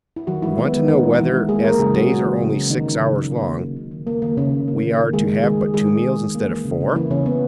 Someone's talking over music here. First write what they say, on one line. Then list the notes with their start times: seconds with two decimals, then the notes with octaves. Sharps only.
"We want to know whether, as the days are only six hours long, we are to have but two meals instead of four?"
0.16 E4
0.27 D#3 F#3 F#4
0.42 E3 G#3 E4
0.58 D#3 B3
0.73 G#3 B3
0.88 D#3 D#4
1.04 G#3
1.19 D#3 E3 E4
1.33 G#3
1.49 G#3 A#3 G#4
1.64 E3 A#3 A#4
1.79 C#3 G#3 G#4
1.94 C#3 F#3 F#4
2.09 A#3
2.24 E3
2.40 C#3
2.55 C#3
2.70 D#3 A#3 D#4
2.86 F#3
3.01 C#3
3.16 C#3
3.31 A#3
3.46 F#3
3.61 C#3
3.77 C#3
3.91 D#3
4.07 A#3
4.22 D#3 A#3
4.37 C#3 A#3 C#4
4.53 D#3
4.68 A#3
4.83 D#3
4.98 A#3
5.13 D#3 G#3 G#4
5.28 G#3
5.44 D#3 G#3 G#4
5.59 G#3
5.74 D#3 G#3 G#4
5.89 G#3
6.04 D#3
6.19 G#3
6.35 A#3
6.50 E3
6.65 C#3
6.81 C#3
6.95 E3 A#3 E4
7.11 C#3 E3 C#4
7.26 C#3 B3